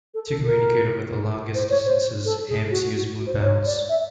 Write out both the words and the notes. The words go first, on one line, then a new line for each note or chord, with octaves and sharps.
To communicate over the longest distances, hams use moon bounce.
A4
A4
A#4
C5
C#5
C5
A4
G#4
F#4
F#4
C5
C#5
D5
E5